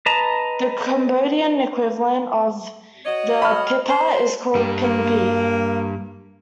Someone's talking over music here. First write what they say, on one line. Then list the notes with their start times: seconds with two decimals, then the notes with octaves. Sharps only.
The Cambodian equivalent of the "piphat" is called "pinpeat".
0.06 B4 D#5 A5 A#5
3.05 F#4 C#5 D#5
3.42 B5 F6
3.90 C5
4.55 G2 G3 A#3
4.84 A#3